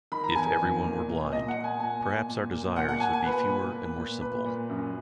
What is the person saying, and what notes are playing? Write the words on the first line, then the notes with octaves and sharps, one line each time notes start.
If everyone were blind, perhaps our desires would be fewer and more simple.
D#3 B5
A#5
E2 G#5
D#3
A#2
A#2
A#2 D#5
F#5
A#2
G#5
A#2 G#5
A#2
A#2
A#2
A#2 F#5
F#5
A#2 G#5
G#5
A#2 B4
A#2
A#2
A#2
A#2 B4
A#2
F#2